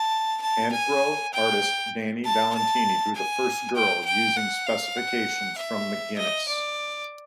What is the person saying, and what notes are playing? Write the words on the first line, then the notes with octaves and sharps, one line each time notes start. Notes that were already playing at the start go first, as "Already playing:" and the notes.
Anthro artist Danny Valentini drew the first girl using specifications from McGuinness.
Already playing: A5
A5
G#5
G5
A5
A5
G#5
G5
G5
F#5
F5
F#5
E5
D#5
D5